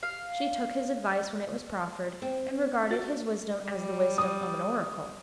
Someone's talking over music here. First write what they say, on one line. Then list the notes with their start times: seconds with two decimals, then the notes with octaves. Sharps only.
She took his advice when it was proffered, and regarded his wisdom as the wisdom of an oracle.
0.03 F5
2.22 C4
2.90 F#4 A6
3.63 G3
4.18 D#6